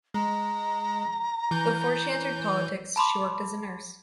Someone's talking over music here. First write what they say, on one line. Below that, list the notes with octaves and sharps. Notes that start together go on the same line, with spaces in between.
Before she entered politics she worked as a nurse.
G#3 A#5
E3 G6
A5 B5 C6 D6